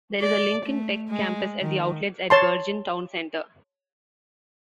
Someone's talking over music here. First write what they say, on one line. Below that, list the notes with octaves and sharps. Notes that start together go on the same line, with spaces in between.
There is a Lincoln Tech campus at The Outlets at Bergen Town Center.
D5
A3
G#3
D#3
C#5 A5 C6